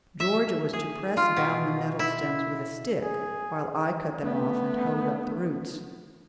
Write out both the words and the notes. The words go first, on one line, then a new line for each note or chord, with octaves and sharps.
Georgia was to press down the nettle stems with a stick, while I cut them off and hoed up the roots.
E5
G#4
F4
B2
E4
G#4
A3 B3